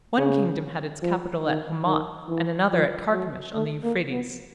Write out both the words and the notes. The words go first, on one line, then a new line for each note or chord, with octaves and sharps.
One kingdom had its capital at Hamath and another at Carchemish on the Euphrates.
C#3
F3
D#3
D#3
E3
F3
F#3
A3
A#3
B3